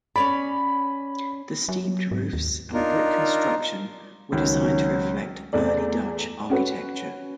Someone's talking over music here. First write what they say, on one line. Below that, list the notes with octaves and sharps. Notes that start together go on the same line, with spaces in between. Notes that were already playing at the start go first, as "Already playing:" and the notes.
The steeped roofs and brick construction were designed to reflect early Dutch architecture.
C#4 C#5 D5 B5
F#3
G#2
D#2
D4 D#4 F4 A#4
C#2 D#3 F#3 C#4
E2 A3 D5
C#4 F#4 B4